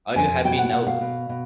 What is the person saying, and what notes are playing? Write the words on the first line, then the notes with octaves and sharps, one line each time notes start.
Are You Happy Now?
F2 G#5
B2 G5
F#5
B2 F#5
F5
B2
B2